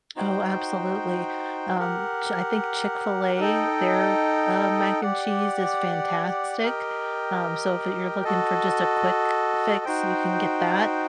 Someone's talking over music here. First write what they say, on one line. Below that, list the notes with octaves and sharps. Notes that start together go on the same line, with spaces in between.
Oh, absolutely, um, Ch I think Chick-fil-A, their, uh, mac and cheese is fantastic, um, so if you're looking for just a quick fix, you can get that,
D#4 F#4 C5 G5
G4 A#4 F#5
D#4 A4 D#5 G5
G4 D5 F#5
G4 A#4 D#5 G5
F#4 A4 D#5
D#4 F#4 C5 G5